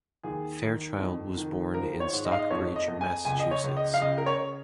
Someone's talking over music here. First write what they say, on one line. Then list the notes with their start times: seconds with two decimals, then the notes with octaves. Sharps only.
Fairchild was born in Stockbridge, Massachusetts.
0.23 D#2 G#4
0.62 D#3
1.00 F2
1.37 D#3
1.74 F3 A#4
2.00 C#5
2.13 G#2
2.25 D#5
2.32 F5
2.39 D#5
2.51 F2 C#5
2.76 D#5
2.88 F2
3.01 G#5
3.25 C#2 G#5
3.40 D#5
3.51 C#5
3.64 C#2
3.77 D#5
3.94 F5
4.01 C#3 D#5
4.18 A#4
4.26 C#5